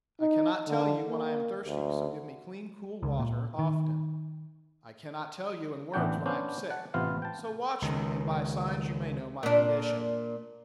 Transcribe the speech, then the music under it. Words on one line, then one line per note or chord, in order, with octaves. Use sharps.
I cannot tell you when I am thirsty, so give me clean, cool water often. I cannot tell you in words when I am sick, so watch me and by signs you may know my condition.
D#4
D3
A#3
D2
C#2
A#2
D#3
A1 E3 B3 D4 F#5 G5
B3 C#4 D4 C5
F#5 A5
A1 C3 B3 F4 F5
G5 A5
C#2 D#3
A#2 D4